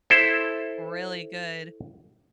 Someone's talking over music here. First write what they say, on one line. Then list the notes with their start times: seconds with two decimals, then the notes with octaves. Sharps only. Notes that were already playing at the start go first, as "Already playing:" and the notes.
really good.
0.10 E4 A4 C5